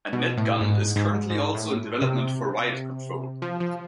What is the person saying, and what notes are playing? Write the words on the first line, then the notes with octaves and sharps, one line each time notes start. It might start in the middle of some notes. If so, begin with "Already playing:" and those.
A net gun is currently also in development for riot control.
B2
A2
G#2
G#2
G#2
A2
C3
F3
F3